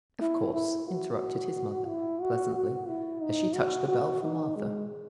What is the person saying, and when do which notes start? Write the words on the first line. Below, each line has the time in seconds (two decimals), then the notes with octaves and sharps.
"Of course," interrupted his mother, pleasantly, as she touched the bell for Martha.
0.21 E4
0.54 E4
0.88 F#4
1.88 E4
2.21 F#4
2.56 F#4
2.89 E4
3.22 D#4
3.55 F#4
3.88 F#4
4.22 D#4
4.56 G#3